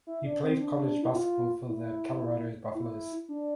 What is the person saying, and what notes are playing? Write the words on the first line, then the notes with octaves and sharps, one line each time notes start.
He played college basketball for the Colorado Buffaloes.
E4
D4
C4
D4
E4
F4
E4
E4
D4